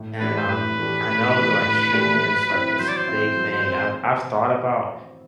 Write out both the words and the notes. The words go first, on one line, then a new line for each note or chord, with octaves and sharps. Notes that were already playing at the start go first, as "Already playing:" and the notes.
and, um, I know that, like, streaming is, like, this big thing. I've I've thought about
Already playing: A2
E3 A3 D4 G4 B4
C5
A2 B4
E3 A3 D4 G4
A2
E3 A3 D4 G4
A2
E3 A3 D4 G4
F#3
C4 E4
F#3 C5
D5
C5
C4 E4
F#3
C4